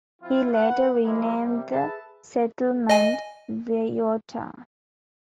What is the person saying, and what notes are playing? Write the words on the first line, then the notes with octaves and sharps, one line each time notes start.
He later renamed the settlement Wiota.
F3 C4 E4 F4
B4 F#5
F3 G#3 A#3 E4
C3 G3 A#3
G#4 A4 B4 E5 A5
D#5 G#5